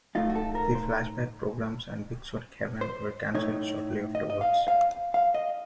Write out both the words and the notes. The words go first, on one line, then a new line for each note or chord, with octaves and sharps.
The "Flashback" programs and "Big Sonic Heaven" were cancelled shortly afterward.
A2 A3 D#4 F4
F#4
A4
A#4
C5
C5
A2 A3 D#4 C#5
D#5
D#5
F5
F5
F5
D#5